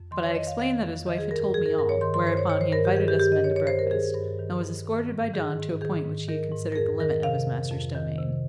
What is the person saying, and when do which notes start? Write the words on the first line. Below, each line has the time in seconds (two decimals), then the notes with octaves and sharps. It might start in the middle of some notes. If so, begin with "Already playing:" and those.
But I explained that his wife had told me all, whereupon he invited us men to breakfast, and was escorted by Don to a point which he considered the limit of his master's domain.
Already playing: F2
0.11 D#3 C6
0.23 C#5
0.35 F2 D#5
0.47 F5
0.59 D#3 F5
0.83 F2
1.06 D#3 D#5
1.18 G#4
1.31 G2 A#4
1.42 A#4
1.54 D#3 G#4
1.66 A#4
1.78 G2 A#4
1.89 C#5
2.01 D#3 C6
2.14 C6
2.25 G2 C5
2.37 C#5
2.49 D#3 C#5
2.61 C5
2.72 G2 A#4
2.85 G4
2.97 D#3 G#4
3.08 G4
3.20 G2 G4
3.32 D#5
3.44 D#3 C#5
3.56 C#5
3.67 G2 C5
3.79 A#4
3.91 D#3 G#4
4.15 G2
4.39 D#3
4.62 G2
4.86 D#3
5.10 G#2
5.33 D#3 G#4
5.58 G#2
5.81 D#3 G#4
6.05 G#2
6.28 D#3 A#4
6.52 G#2
6.72 A#4
6.76 F2 G#4
7.00 D#3 A#4
7.23 C3 F5
7.47 F2
7.72 F2
7.95 D#3
8.18 C3